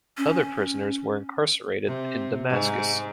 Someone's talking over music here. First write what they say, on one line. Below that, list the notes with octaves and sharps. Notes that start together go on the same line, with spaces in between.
Other prisoners were incarcerated in Damascus.
C#4
C3
G#2